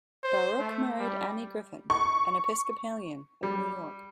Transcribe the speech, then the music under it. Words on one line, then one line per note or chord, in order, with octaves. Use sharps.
Baruch married Annie Griffin, an Episcopalian, of New York.
C5
A3
G3
C#6
G3